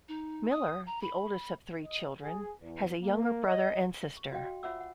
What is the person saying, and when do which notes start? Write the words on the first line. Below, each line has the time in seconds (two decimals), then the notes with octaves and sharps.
Miller, the oldest of three children, has a younger brother and sister.
0.09 D#4
0.50 D#6
0.87 A#5
1.02 B5
1.84 D#5
2.22 G#4
2.61 E2
3.02 A#3
3.45 D#5
4.17 C#6
4.32 F#4 D#5 F5 G5
4.44 F#4
4.63 F4 C#5 E5 F#5 D6 E6
4.80 F#5